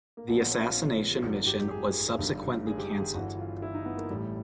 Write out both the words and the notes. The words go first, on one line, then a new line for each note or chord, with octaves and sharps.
The assassination mission was subsequently cancelled.
A#3
A#1 A#2 B3
B3
C#4
F4
F4
G#1 F#2 D#3 F#4
G4
G#4
G1 G2 D#3
G#4
G4
G#4
G4
G1 G2 E3 F#4
F4
E4
D#4
B3
A#3
A1 A2 E3 G3